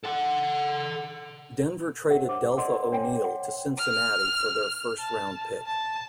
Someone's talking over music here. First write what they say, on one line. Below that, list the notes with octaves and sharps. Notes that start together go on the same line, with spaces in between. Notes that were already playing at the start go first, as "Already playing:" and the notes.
Denver traded Deltha O'Neal to Cincinnati for their first round pick.
A4 F#5
D4 G4 A#4 C#5 E5 F#5
C5 D6
G#4
A#4 C5 D5 D#5 F#5 C6
C#5 G5 G#5
F#5
F6
A5
A5